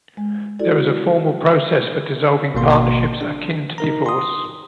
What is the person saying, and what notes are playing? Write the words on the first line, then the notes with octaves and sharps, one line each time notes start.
There is a formal process for dissolving partnerships akin to divorce.
G#3
E4 F#4 A4 D5
G#1 B2 A#3 C6
D4
D#4 A#4 A#5
C6 D#6